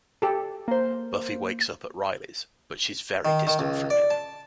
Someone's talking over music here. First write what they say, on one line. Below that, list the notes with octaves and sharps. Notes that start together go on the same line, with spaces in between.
Buffy wakes up at Riley's, but she's very distant from him.
G4 A4
A#3 C5
D#3
D#3
C#2
D5
A5